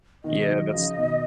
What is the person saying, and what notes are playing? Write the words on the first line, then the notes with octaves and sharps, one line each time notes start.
Yeah, that's
B2 D#3 D#5
D#3 F#3
C#3 F3
B2 D#3